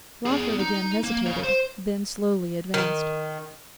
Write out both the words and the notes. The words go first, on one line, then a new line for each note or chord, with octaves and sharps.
Lawford again hesitated, then slowly advanced.
B3 G#4
D#4
A#3
C#5 F5
C5
D#3